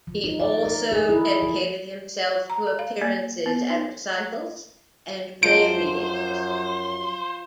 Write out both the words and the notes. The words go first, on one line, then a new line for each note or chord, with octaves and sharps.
He also dedicated himself to appearances at recitals and play readings.
F3
D#4
D5
A#4
G#4
E4
F3
A#5
A4
F5
A#3
B3
D#4
F#2 F3 C5 D7